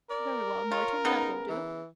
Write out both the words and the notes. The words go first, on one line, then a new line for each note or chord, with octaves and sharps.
"Very well, Morton, that will do."
A#4 D5
F4 C#5
C#3 B3 D#4
E3